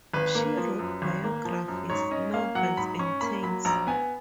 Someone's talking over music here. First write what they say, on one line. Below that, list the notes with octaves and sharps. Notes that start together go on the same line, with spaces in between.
She wrote biographies, novels and tales.
G#1 B4
A#3
F3
F#2
G#1
A#3
F3
F#2
G#2 C#5
C#4 D#5
A#3 F5
F#3 F#5
G#2 B5
C#4 C#6
A#3 B5
F#3 B5
A#1 A#5
B3 G#5